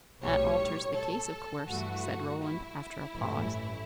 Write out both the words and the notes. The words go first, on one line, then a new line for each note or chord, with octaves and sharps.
"That alters the case, of course," said Roland, after a pause.
B1 A2 G3 C#5
A4
G2 E3 A3 F#4
E4
A1 G2 E3 A3